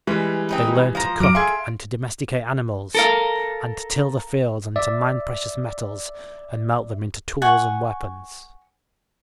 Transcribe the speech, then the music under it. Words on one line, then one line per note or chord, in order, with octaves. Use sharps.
They learned to cook and to domesticate animals and to till the fields and to mine precious metals and melt them into tools and weapons.
E3 G3 G#3 B4
C4 D#4 B4
F3 C5 A#5
F2 F#3 A#5 D6 F6 D7
G#4 A4 E5 F5 C6 G#6
A4 A#4 F5
D5 E5
F#5 G#5 C#6